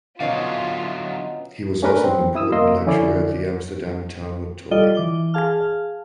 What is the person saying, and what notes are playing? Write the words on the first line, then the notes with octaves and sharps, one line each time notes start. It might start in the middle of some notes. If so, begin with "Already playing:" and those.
He was also an important lecturer at the Amsterdam Talmud Torah.
B2 D3 F#3 C#4 D#4 F4 E5 F5
A3 C#4 D4 A#4 B4
C4
E4 D#6 E6
C2 A#3 D#5 C6 E6
F2 D3 C#4 E4 D5 D6
G3 F4 A4 D5 D#5 G7
E3 D6 G7
G#4 F5 A5 F6